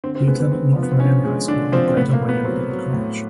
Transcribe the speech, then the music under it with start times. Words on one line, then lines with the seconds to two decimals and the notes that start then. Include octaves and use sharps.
He attended North Miami High School, and later Miami Dade College.
0.04 D3 C4
0.15 C4
0.27 G#3 B3
0.40 B3
0.52 D3 C4
0.76 F3
0.83 B3
0.92 C4
1.00 D3 C#4
1.25 G#3
1.48 D3 D4
1.72 F3 C4
1.88 C4
1.96 A2 B3
2.13 A#3
2.21 A2
2.29 B3
2.44 F#3 C4
2.70 F#3
2.93 A2